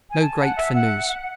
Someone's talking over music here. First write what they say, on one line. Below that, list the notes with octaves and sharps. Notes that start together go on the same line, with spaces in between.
No great for news.
G#5
A5
F#5
E5
F#5